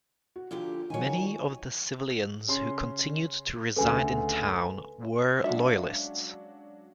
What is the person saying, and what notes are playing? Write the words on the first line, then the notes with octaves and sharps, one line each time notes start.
Many of the civilians who continued to reside in town were Loyalists.
F#4
A#2 D3 F3 G4
D#3 F3 F#3 C#5 G#5
C#3 C#4 C6
D2 C#3 A4 B4 G#5
F#3 G#3 C#4 D4 F#4 E5 F5